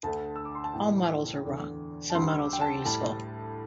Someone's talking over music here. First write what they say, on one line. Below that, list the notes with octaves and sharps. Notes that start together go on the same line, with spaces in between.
All models are wrong; some models are useful.
D2 D3 A3 A5
E6
D6
C6
A5
A2 E3 G3 G5
E2 D3 A3
A5
D2 D3 G3 C6
E6
D6
G5
A5
A2 G3 A5